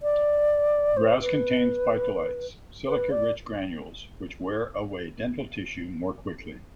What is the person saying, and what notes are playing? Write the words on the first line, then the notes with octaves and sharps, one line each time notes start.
Grass contains phytoliths, silica-rich granules, which wear away dental tissue more quickly.
D5
C5
B4
B4
D5